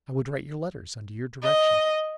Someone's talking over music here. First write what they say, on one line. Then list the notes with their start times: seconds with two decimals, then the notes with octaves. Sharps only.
I would write your letters, under your direction.
1.44 D#5